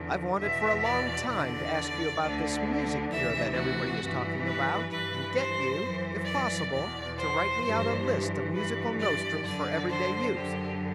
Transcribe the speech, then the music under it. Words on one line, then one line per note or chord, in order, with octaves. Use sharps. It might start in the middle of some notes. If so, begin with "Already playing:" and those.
I've wanted for a long time to ask you about this music cure that everybody is talking about, and get you, if possible, to write me out a list of musical nostrums for every-day use.
Already playing: E2 D3
E2 B2 E5
D5
E2 D3 D5
D2 D3
D2 C3 E3 E5
F#4
G2 E3
B4
G2 E3 B4
C5
F#2 E3
D5
E2 B2 D5
C5
G2 E3
G2 E3 B4
D5
F#2 D3 D5
C5
F#2 D3 G4